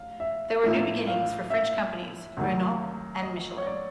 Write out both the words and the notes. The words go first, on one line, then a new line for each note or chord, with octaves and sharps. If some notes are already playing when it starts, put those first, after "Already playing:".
There were new beginnings for French companies Renault and Michelin.
Already playing: F1 F5
E5
A#1 A2 F3 A#3 D#4 E5
F5
E5
D2 C3 D#3 F#3
D#5
C#5
D5